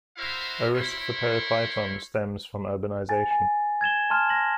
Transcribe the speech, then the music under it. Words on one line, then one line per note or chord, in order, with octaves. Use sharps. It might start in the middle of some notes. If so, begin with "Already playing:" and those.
A risk for periphyton stems from urbanization.
E4 F#4 A#4 C5 E5 F5
E4 A#4 C5 C#5 B5 C6
G#5 A6
G#5
G#6 A6 E7 G7
A5 C6 F6 E7
A#6 F#7